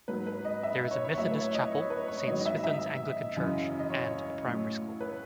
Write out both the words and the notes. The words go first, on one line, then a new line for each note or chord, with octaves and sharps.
There is a Methodist chapel, Saint Swithun's Anglican church, and a primary school.
G#2 F#3 B4
B4
D#5
E5
D#5
C#5
C#5
A2 F#3 E5
B4
C#5
D#5
C#5
B4
C#5
G#2 D#3 F#3 D#5
D#5
E5
E5
F#2 C#3 E3 D#5
D#5
C#5
A2 F#3
B4